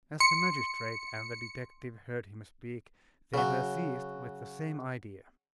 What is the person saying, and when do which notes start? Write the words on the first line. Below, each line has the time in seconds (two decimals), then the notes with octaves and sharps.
As the magistrate and the detective heard him speak, they were seized with the same idea.
0.20 C6 C#7
3.34 C#3 F#3